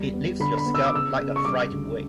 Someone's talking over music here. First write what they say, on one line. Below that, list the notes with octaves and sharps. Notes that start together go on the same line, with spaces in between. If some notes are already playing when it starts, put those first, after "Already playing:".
It lifts your scalp like a fright wig.
Already playing: E2 G3
B3
D3 B5
B5
B3
E6
D6
C#3 E6
C#3
C#6
G3 D6
D2